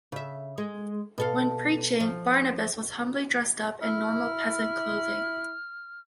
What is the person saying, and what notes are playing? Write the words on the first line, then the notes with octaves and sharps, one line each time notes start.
When preaching, Barnabas was humbly dressed up in normal peasant clothing.
C#3 E5
G#3
B2 A4 F5
F3
E4 F6